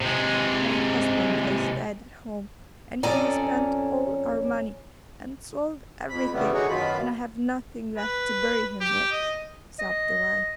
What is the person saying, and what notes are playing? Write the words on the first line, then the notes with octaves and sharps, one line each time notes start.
'My husband lies dead at home, and he has spent all our money, and sold everything, and I have nothing left to bury him with,' sobbed the wife.
C3 G#3
F2 C#4 A4 D5 G#5 A#5
F2 B5
E2 C#3 G3 A3 B3
D3 D#4 F#4 G#4 C#5
F#2 B2 D#3 F#3 F4 B5
B4
G4
D#5
D#5